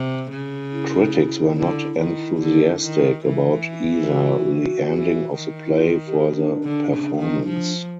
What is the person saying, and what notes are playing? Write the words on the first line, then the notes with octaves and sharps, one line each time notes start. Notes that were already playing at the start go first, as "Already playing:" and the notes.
Critics were not enthusiastic about either the ending of the play or the performance.
Already playing: C3
C#3
E4
D3
D#3
D3
D#3
E3
F#4
E3
D#3
E4
F4
G4
D4
D3
C#3
D#3
F3